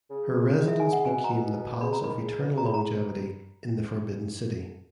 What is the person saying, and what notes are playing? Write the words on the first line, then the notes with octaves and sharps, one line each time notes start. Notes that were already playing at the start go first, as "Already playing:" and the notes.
Her residence became the Palace of Eternal Longevity in the Forbidden City.
C#3
D#5
E5
G#5
F#5
B2 G#5
A#5
C#3 B5
A#5
D#3 B5
C#3
B2
C#3 A#5
B5
A#5